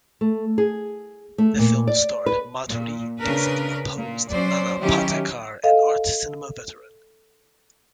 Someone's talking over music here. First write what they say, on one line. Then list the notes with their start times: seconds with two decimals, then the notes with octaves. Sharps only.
The film starred Madhuri Dixit opposite Nana Patekar, an art cinema veteran.
0.21 A3
0.58 G#4
1.38 A3
1.59 A#2
1.87 D5
2.26 B4
2.68 A#2
3.19 C#3 D4 A#4 B4
3.96 A#2 A#3
4.29 F#3 C#4 C5 D5
4.79 D#3 F#3 C#4 E4 G4
5.64 A4 D#5 F5